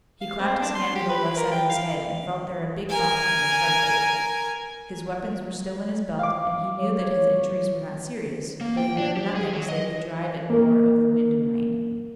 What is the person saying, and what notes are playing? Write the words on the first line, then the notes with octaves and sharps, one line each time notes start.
He clapped his hand to the left side of his head, and felt there a big bump and a sharp ache. His weapons were still in his belt and he knew that his injuries were not serious, but he heard nothing save the drive and roar of the wind and rain.
F5
C4
D4
C6
G4
B4
A#4
G5
F5
A#4 G#5
F5 D6
C#5
A#3
G5
D4
G4
G#4
F#3
D#5
A#3 A#4